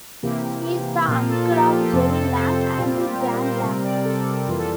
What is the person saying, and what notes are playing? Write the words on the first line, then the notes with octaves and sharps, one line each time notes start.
He is the uncle of Jerry Lamb and Jan Lamb.
C3 E3 A#3 G4
A#2 F3 A#3 F4
A4
G4
F4
F2 C3 F3 C4 A4
A4
C5
A#2 G3 C4 F4
G4
A#4
C5
C3 G3 C4 A#4
D5
A4
A4
F2 E3 G3 A#3 F4
A4